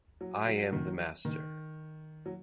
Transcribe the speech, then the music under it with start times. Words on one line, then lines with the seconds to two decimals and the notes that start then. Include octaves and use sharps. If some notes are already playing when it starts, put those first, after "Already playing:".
I am the Master.
0.21 F#3
0.47 F#3
0.73 D#3
0.86 F#3
1.25 D#3
2.26 F#3